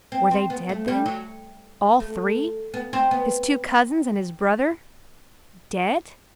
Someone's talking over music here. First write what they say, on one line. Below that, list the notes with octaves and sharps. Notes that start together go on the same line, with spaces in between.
Were they dead then--all three--his two cousins and his brother--dead?
C4
C4
B3
A3
G3
F#3
A3
B3
C4
B3